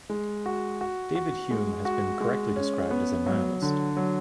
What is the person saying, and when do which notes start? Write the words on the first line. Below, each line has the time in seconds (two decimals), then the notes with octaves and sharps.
David Hume has been correctly described as a nihilist.
0.10 G#3
0.46 F#4
0.81 F#4
1.15 F#4
1.50 G#3
1.85 F#4
2.21 G#3
2.56 C#4
2.91 B3
3.26 F#3
3.62 D3
3.97 F#3